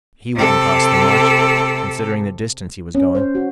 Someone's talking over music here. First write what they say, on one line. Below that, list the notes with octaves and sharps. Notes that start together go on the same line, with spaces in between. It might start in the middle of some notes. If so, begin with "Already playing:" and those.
He wouldn't cost them much, considering the distance he was going.
C3 A4
C#4
C5
F#4